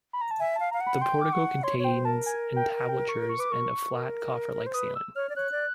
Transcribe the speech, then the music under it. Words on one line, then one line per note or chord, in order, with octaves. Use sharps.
The portico contains entablatures and a flat, coffer-like ceiling.
B5
A#5
A5
E5 G#5
A5
F5
F5 A#5
F#5
B5
G5 C6
D6
F#5 C#6
C#5 C6
C#5
C5 G5
A#4 A5
G#5
G5
G5
C#6
C#6
B4 D6
A#4 C#6
A#4
C5
B4 D#6
E6
C#5 F6
D5
C#5 F#6
D5